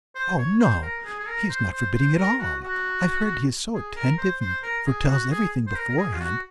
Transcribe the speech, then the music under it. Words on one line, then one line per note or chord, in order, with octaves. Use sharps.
"Oh, no, he is not forbidding at all; I've heard he is so attentive and foretells everything beforehand."
C5
C#5
C5
A#4
G#4
G#4
A#4
C5
C5
C5
A#4
F#4
F#4
G#4
A#4
C5
C5
A#4
G#4
F#4
G#4
C5
A#4
A#4
G#4
F4
F#4